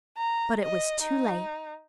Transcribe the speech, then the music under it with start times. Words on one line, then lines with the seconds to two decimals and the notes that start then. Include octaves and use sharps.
But it was too late.
0.17 A#5
0.63 D#5
1.02 D#4